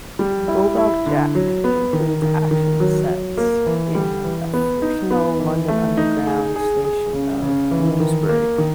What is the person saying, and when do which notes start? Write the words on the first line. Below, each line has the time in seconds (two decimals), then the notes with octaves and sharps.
"Bulldog Jack" includes action set in a fictional London Underground station of Bloomsbury.
0.19 G3
0.48 E4
0.77 E4
1.06 D3
1.35 F#3
1.64 B3
1.93 D#3
2.22 D#3
2.51 D#3
2.80 F#3
3.08 F#3
3.37 A#3
3.66 E3
3.95 G3
4.24 E3
4.53 B3
4.82 D#4
5.11 B3
5.40 E3
5.68 A3
5.97 D#4
6.27 G#4
6.56 G#4
6.85 G#4
7.13 C#3
7.42 C#3
7.71 E3
8.00 D#3
8.29 A#3
8.58 D#3